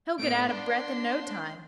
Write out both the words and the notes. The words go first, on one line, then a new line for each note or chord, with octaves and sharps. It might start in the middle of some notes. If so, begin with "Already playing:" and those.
He'll get out of breath in no time.
A2 A3 B3 D7
D4 D5 C6